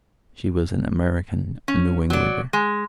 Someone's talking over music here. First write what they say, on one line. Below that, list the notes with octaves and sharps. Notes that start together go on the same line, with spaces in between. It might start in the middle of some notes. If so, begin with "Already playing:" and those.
She was an American, a New Englander.
C#4
F#3 D5
G#3